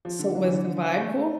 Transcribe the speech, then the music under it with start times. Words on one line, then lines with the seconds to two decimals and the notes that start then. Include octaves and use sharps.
So was the vibe cool?
0.05 F3
0.19 D3
0.35 D3
0.43 E3
0.52 D3
0.97 A3